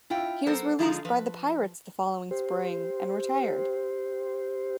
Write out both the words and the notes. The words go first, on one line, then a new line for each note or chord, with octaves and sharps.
He was released by the Pirates the following spring, and retired.
E4 F4 G5
F#3 B3 A4 A#4 C5 F#5
D3 F3 G#3 D#4 F4 A#5
F3 B4
G4 C5